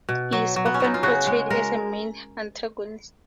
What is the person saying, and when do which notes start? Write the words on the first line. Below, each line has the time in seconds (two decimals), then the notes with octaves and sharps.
He is often portrayed as the main antagonist.
0.09 B2
0.32 F#3
0.56 F#3
0.66 B3
0.74 C#4
0.80 F#3 D#4
0.94 F4
1.03 C#3 F#4
1.27 G#3
1.50 G#3 A#4